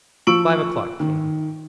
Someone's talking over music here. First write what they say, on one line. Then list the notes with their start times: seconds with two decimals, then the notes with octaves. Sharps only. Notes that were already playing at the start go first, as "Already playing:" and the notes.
Five o'clock came.
0.27 F3 C#6 E6 D7 F#7
1.00 D#3